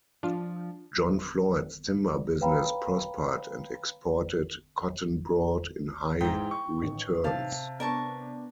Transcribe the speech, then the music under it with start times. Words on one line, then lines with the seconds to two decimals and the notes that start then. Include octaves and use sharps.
John Floyd's timber business prospered, and exported cotton brought in high returns.
0.23 F3 D4 F4
2.41 B4 C#5 F5 G5 A#5 B5
6.21 G#2 E3 G5 A#5
6.51 C#6
6.82 A1 D#3
7.24 C3 F5 A5
7.80 B3 D4 A#4 A5 C#6